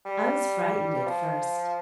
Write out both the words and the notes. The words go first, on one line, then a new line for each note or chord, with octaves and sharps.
I was frightened at first.
G3
F3